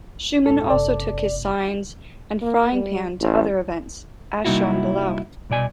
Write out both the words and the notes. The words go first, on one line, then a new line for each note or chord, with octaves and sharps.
Schuman also took his signs and frying pan to other events, as shown below.
D#1 G#2 A4
F#1 C3 D5
A#3
G3
A1
C3 G3 A#3 D#4 E4 F#4
C2 B2 D5 G#5